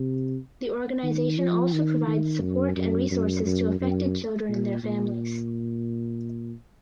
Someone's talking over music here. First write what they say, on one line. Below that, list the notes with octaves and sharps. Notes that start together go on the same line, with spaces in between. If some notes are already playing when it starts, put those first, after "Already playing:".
The organization also provides support and resources to affected children and their families.
Already playing: C3
D#3
F3
D#3
D#3
F#2
F#2
F#2
F#2
F#2
A#2
A#2